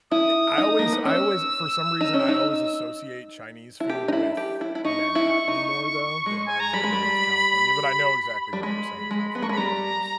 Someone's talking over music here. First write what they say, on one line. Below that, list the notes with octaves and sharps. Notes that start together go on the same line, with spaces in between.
Eh, I always I always for some reason, I always associate Chinese food with Manhattan more though, than I would with California, but I know exactly why you're saying California. I mean, there's
E4 D#6
D#4
A#3
B3
C#4 E6
D#4
C#4
D#4
E4
G4
D#4
E4
G4
E4
E4
D#4 C#6
E4
D#4
G#3
G#5
A#5
G3 B5
G#3
G3
G3
G#3 B5
G#3
B3
A#3 C#6
G#3 B5
G3 A#5